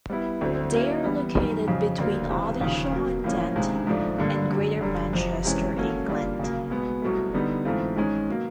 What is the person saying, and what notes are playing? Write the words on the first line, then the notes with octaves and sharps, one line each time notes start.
They are located between Audenshaw and Denton, in Greater Manchester, England.
G3 B3 E4
D2 D3 F#3 A3 C4
F#3 A#3 C#4 E4
E3 G3 B3
F#2 D#3 G3
F2 C#3 F#3
D2 D3 F#3 A#3
C#2 C3 E3
D#2 C#3 F3
B2 F#3 A#3
A2 F3 A#3 C#4
C#2 C3 D#3 G#3
G#2 F3 A3 D4
G2 D3 G3 A#3
F#2 D3 F#3
F#2 D3 G3
F2 C3 F3
C3 E3 G#3 C#4
F#3 A#3 C#4 F#4 A4
G3 A#3 D4 F4
C#3 F#3 A#3
B2 G#3 B3
C2 B2 F#3 A3
D3 G3 B3 D#4
G#2 E3 A3 C4 F4
G#2 D#3 G#3 C#4
B2 F#3 A#3